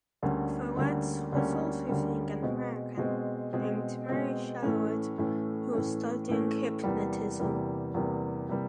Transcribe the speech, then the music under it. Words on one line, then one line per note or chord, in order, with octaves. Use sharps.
Ploetz was also seeing an American named Mary Sherwood who was studying hypnotism.
D2 D3 G3 A#3 C#4
D2 D3 G3 A#3 C#4
D2 D3 G3 A#3 C#4
D2 D3 G3 A#3 C#4
B2 G#3 C4
B2 G#3 C4
B2 G#3 C4
B2 G#3 C4
A2 E3 A3 C#4
A2 E3 A3 C#4
A2 E3 A3 C#4
A2 E3 A3 C#4
E2 C3 E3 G3 A#3
E2 C3 E3 G3 A#3
E2 C3 E3 G3 A#3
C3 E3 G3 A#3